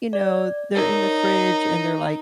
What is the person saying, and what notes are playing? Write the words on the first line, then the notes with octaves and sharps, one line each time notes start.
you know, they're in the fridge and they're, like
D5
D#4 A#4 C#5